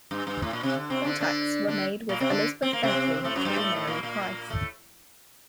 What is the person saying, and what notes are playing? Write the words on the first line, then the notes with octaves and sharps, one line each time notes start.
Contacts were made with Elizabeth Bentley through Mary Price.
G2
G2
A2
A#2
C3
D3
C3 C4
D3 D4
D3 D4
D3 D4
A#2 A#3
C3 C4
D3 D4
C4
A#3
C3 C4
A2 A3
F#2 F#3
G2 G3
A2 A3
A3
A#2 A#3
A#2 A#3
A2 A3